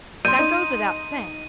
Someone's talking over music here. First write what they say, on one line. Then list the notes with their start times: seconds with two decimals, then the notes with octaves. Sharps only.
That goes without saying.
0.25 A#1 C6 G6 D#7
0.39 D#4